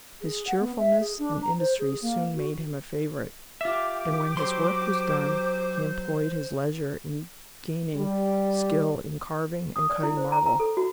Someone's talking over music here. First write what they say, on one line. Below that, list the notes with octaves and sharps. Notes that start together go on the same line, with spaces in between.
His cheerfulness and industry soon made him a favorite; and when his work was done, he employed his leisure in gaining skill in carving and cutting marble.
G#4
F#5
B3
E5
G#4
D4
A#5
C5
G#4
A#3
F#4
F4 G4 E5 D6
F#3 C5 C6
G3
D#6
D5
E4
C5
A#5
A#5
A4
F#4